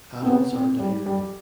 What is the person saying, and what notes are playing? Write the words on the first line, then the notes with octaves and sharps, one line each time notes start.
Adults are diurnal.
C4
B3
C4
G3
G3